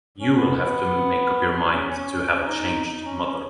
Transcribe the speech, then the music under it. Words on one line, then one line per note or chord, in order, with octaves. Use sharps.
You will have to make up your mind to have a changed mother.
C#4
B3
B3
C#4
C#4
C#4
C#4
D#4
D#4
C#4
C#4